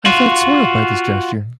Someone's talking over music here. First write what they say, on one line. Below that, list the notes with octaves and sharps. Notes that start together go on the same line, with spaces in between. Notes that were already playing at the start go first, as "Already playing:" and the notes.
I felt soiled by this gesture.
F4 F#4